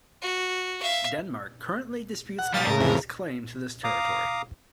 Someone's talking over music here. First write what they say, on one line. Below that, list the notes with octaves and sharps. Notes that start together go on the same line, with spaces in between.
Denmark currently disputes Canada's claim to this territory.
F#4
E5 F5
F#5
B1 G3 F5 D#6 A6
A2 C#3 A#4
F2 C3 E3
F5 A#5 D6 D#6